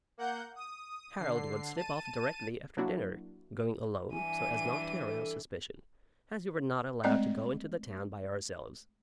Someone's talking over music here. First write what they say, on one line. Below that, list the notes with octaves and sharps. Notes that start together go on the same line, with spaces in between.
Harold would slip off directly after dinner, going alone, so as not to arouse suspicion, as we were not allowed to go into the town by ourselves.
A#3 F#5 G6
D#6
D3 C7
A5 D#7
F#3 A#3 D4 E4 F#4
G2 E3 D4 G#5 D#7
A4
G#3 A3 C4 D5 D#5